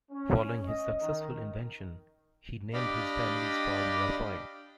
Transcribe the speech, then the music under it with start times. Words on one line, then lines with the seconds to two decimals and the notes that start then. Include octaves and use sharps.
Following his successful invention, he named his family's farm Raphine.
0.11 C#4
0.65 D#5
1.00 D#3
2.74 D4 G4 D5 D#5 F5 B5